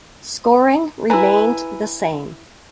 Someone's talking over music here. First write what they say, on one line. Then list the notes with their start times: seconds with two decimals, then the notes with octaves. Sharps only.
Scoring remained the same.
1.10 E4 B4 G#5 A#5